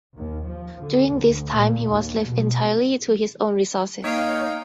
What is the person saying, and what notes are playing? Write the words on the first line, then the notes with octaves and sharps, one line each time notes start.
During this time he was left entirely to his own resources.
D#2
F3
D3
D2
A#2
D#2
B2
A#3 D#4 C#5 F5 G5